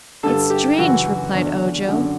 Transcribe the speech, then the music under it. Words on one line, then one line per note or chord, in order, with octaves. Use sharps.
"It's strange," replied Ojo.
G2 D3 A4
G4
F#2 C#3 E3 F#4
E2 D3
F#2 D3